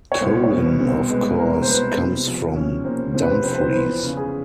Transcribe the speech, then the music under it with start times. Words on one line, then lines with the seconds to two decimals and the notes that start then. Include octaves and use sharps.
Colin of course comes from Dumfries.
0.12 C#5
0.21 C2 C5
0.44 C#5
0.51 B2
0.58 B4
0.66 C5
0.80 C4
0.87 C5
1.09 G#3 B4
1.38 C2 A#4
1.62 C5
1.68 B2 B4
1.98 C3
2.27 F3
2.56 C#4
2.85 A#3 C5
3.14 C3 C5
3.22 B4
3.32 C5
3.44 F3 C5
3.53 B4
3.61 C5
3.73 E2 B4
4.03 C#3
4.17 G#4